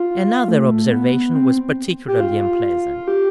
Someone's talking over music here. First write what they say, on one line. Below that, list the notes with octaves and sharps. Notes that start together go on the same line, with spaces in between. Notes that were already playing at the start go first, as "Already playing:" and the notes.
Another observation was particularly unpleasant.
Already playing: F4
A3
B3
C4
G4
F4
G4